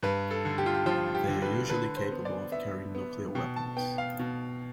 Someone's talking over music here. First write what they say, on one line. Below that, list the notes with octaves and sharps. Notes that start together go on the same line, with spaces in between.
They are usually capable of carrying nuclear weapons.
G2 B4
A4
D3
G4
F4
G4
F3 F4
G4
D3
B4
D3 B4
C5
B3
D5
B3 E5
B3
B2 G5
A5
B3 G5
F5
B2